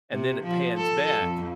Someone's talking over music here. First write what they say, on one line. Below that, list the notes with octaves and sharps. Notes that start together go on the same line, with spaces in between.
and then it pans back,
C3
F3
A4
F2